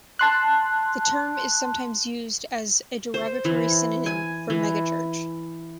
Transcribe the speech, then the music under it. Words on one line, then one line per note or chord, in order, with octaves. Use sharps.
The term is sometimes used as a derogatory synonym for megachurch.
A5 C6 F#6
C5
E3
G#5
E3